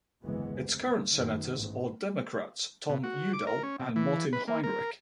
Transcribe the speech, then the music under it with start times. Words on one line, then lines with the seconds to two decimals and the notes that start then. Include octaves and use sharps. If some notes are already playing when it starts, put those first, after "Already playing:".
Its current Senators are Democrats Tom Udall and Martin Heinrich.
0.22 F#1 D2 G#2 E3 G#3 B3
0.59 C3
1.14 F#2 D#3 B3
1.53 A1 G#2
2.89 B2
3.04 F#4
3.33 D6
3.47 A#4
3.63 C#4
3.80 C3
3.96 E3
4.33 B4
4.48 A#3
4.64 A#4